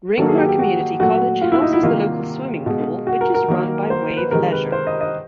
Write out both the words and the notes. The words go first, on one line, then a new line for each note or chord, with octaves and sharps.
Ringmer Community College houses the local swimming pool which is run by Wave Leisure.
D#3 F#3 A#3 A4
G#4
G4
G4
F#4
A#2 F#3 A3 F#4
F4
E4
D#4
E4
C3 D#3 G3 A#3 F4
B2 G#3
F#4
A#4
A#4
D#3 F#3 A#3
C5
B4
C3 D#3 G#3 A#4
B4
C5
D#5
D#5